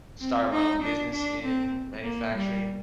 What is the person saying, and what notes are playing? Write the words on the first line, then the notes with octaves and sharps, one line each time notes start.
start my own business in manufacturing,
C4
D#4
D4
D4
C4
A#3
G3